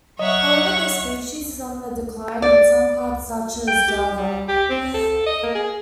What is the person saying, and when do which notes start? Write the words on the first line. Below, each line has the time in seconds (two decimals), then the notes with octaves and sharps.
However the species is on the decline in some parts such as Java.
0.19 F#3 C#5 D#5 E5 F#5 C#6
2.42 D5
3.67 G5
3.88 G4
4.17 G3
4.48 G4
4.70 C4
4.94 A4
5.26 D#5
5.43 A#3
5.55 G#4